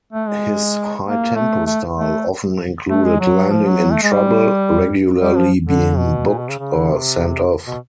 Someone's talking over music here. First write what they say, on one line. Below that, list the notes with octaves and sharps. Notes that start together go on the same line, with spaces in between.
His high-tempo style often included landing in trouble, regularly being booked or sent off.
A3
G#3
A#3
A3
A3
A3
A3
G#3
F#3
F3
F#3
A3
G#3
G3
G3
F3
D3
B2
A#2
B2
C#3
C#3
D3
C3
B2